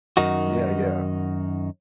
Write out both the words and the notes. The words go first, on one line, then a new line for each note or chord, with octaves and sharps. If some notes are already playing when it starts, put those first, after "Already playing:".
Yeah, yeah.
F#2 D#3 D#4 F#4